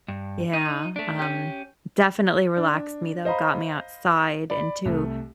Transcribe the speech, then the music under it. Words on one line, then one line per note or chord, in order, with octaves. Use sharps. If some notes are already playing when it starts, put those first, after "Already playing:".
Yeah, um, definitely relaxed me, though, got me outside into
G2
D#4
A3 D4
C#4 G4
D4
C5 D#5 F5 A#5 B5
D5 B5
C2 A3